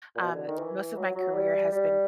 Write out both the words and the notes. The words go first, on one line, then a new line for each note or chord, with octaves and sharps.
um, most of my career has been
A#2
B2
D3
D#3
E3
F#3
F#3
G3
G3